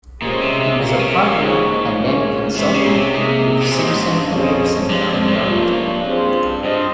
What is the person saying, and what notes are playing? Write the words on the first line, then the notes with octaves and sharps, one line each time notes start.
He was a partner and then consultant with Simpson Grierson in Wellington.
A#2 G#3 C#4 G4 C5 D#5
C3
C3
A#2 C#4 G4 A#4
C3
A#2
G#2 F3 A#3 D#4 G#4 C#5
A#3 C#4 F4
C3 G#3 C#4 G4 C#5
C#3
A#2
C3
C3 A#3 D#4 G#4 D#5
C3
A#2 C#4 G4 C5 D#5
A#2
G#2
G2
F2 C#4 G#4 C5 D#5
G2 G#3 C4 G4 C5
F2
G2
F3 A#3 C#4 F4
C4 F4 G#4 C5
G2 C5 D#5